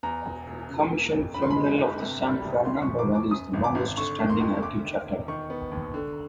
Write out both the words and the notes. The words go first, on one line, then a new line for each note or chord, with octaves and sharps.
Comision Femenil of the San Fernando Valley is the longest-standing active chapter.
E2 A#5
E1
E1
C#3
A#3
F2
G2 B5
C6
B5
G#3
G1
C3
G3
C2
D#2 C6
C#6
F3
D6
E1
D6
F#2 D#6
G#1
D6
G#1
D3 C#6
A#3
C6
F2
D2 D6
D#3
E1
D#3 C#6
B3
D#2
D3